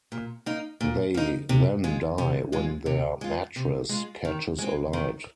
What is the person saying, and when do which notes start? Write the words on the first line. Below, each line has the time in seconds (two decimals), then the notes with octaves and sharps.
They then die when their mattress catches alight.
0.12 A#2
0.46 A#3 D#4
0.81 A#2
1.14 A#3 D#4
1.49 C3
1.84 G#3 F4
2.18 C3
2.52 G#3 F4
2.86 C3
3.21 G#3 F4
3.56 C3
3.89 G#3 F4
4.25 D#3
4.58 G#3 C4
4.93 D#3